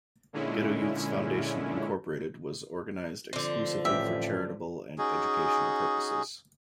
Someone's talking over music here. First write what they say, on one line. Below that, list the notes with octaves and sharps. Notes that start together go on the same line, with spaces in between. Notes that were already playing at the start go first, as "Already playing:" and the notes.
Ghetto Youths Foundation, Incorporated was organized exclusively for charitable and educational purposes.
A#2 D3 G#3 C#4 E4
G2 D3 F3 C4
A1 G4 E5
C#4 D#4 F#4 G#4